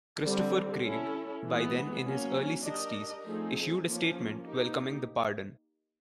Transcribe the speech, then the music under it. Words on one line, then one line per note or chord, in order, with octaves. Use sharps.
Christopher Craig, by then in his early sixties, issued a statement welcoming the pardon.
D3 G3 C4
C#4 E4 A4
E3 G#3 B3
F#3 A#3 C#4
D4 G4 A#4 D#5
F3 A3 C4 D#4 G#4
F3 A#3 C#4
A#3 D#4 G4